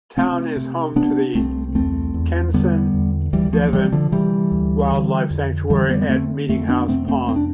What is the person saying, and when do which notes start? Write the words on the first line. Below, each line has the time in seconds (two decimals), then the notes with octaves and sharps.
The town is home to the Kensan-Devan Wildlife Sanctuary at Meetinghouse Pond.
0.17 C3 A3 C4
0.56 C3
0.96 C3 B3 D4
1.35 C2 A3 C4
1.75 E2 A3 C4
2.14 E2
2.54 D3 G3 B3
2.94 E2
3.33 D2 E3 G3
3.53 F3 A3
3.73 C3 E3 G3
3.92 D3 F3
4.12 C3 E3 G3
4.52 D2
4.91 D3
5.31 F2
5.70 D3 E3 G3
5.90 G3 B3
6.01 B3
6.09 D3 A3 C4
6.49 F2 A3 C4
6.69 B3 D4
6.88 C3 A3 C4
7.08 A3 C4
7.28 F2 C4
7.36 D4